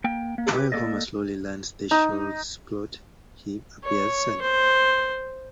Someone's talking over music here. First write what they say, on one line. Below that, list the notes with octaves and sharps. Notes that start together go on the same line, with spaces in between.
While Homer slowly learns the show's plot, he appears sad.
A#3 G5
A#3
G4 G#4 B4
A#3 A4 D5 D#5
D#4
C#5
C5